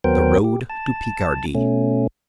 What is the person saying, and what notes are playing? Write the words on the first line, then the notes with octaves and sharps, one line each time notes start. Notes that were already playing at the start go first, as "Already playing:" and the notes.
The Road to Picardy.
D#2 F#3 B3 A#4 C5 G5
G4
A5
B2 A3 C#4